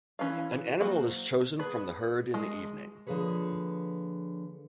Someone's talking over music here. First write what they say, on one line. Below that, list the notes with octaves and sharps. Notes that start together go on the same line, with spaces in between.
An animal is chosen from the herd in the evening.
E3 C#4 B4 F5
F#3 A#3 F#4 C5
B3 G#4 B4 B5
G#3
D3 F3 A#3 G#4 B4 C#5